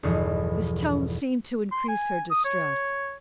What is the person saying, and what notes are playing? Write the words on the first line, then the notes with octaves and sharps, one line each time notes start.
His tone seemed to increase her distress.
G1 E2 B2 F3 D#4 D#5
C6
G#5
D#6
C#5